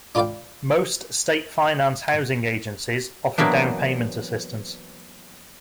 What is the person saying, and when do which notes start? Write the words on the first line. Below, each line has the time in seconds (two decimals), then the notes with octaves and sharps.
Most State Finance Housing Agencies offer down payment assistance.
0.15 D4 F4 B4 D5 F5 G5
3.38 E3 F#3 A#3 B3 D4